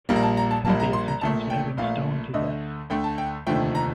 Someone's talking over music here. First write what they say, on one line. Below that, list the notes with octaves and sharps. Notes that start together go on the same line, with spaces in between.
Pentheus intends to have him stoned to death.
A#1 A#2 G3 A#3
A#5
A5
A#5
A5
A#1 A#2 G3 A#3 A5
A#5
C6
A#5
A#1 A#2 A3 A5
G5
A#1 A#2 A3 F5
D2 D3 A3 D#5
D2 D3 A3 G5
A5
G5
F1 D#2 D3 F3 A3 G5
A#5